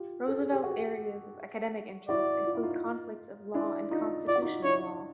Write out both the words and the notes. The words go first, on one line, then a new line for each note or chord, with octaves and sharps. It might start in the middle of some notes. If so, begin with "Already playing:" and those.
Roosevelt's areas of academic interest include conflicts of law and constitutional law.
Already playing: F4 G4
A4
G#4
G4
F#4 G#4
E4 F#4 D5
F4
E4
D#4 F4
D4 E4
D#4 F4
F4 D5
F#4
D#4 F4
D4 E4 C#5